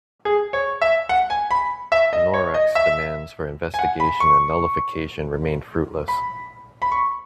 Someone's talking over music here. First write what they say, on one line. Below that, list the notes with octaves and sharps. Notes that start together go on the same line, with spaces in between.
Norex' demands for investigation and nullification remained fruitless.
G#4
C#5
E5
F#5
G#5
B5
E5
D#5
C#5
D#5
E5
G#5
F#5
B5
C#6
B5
B5
C#6